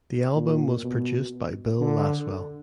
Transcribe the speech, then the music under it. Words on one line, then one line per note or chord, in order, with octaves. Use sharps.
The album was produced by Bill Laswell.
A#2
B2
D3